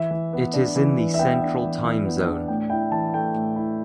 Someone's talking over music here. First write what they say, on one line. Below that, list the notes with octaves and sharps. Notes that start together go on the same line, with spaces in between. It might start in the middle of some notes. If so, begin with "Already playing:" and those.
It is in the Central time zone.
Already playing: E3 E5
E3
B3
D4
E3
E3
E5
B3 G5
D4
E3
E3
B3
D4
A2 G5
E4 G5
E3 A5
A3 G5
A2
E4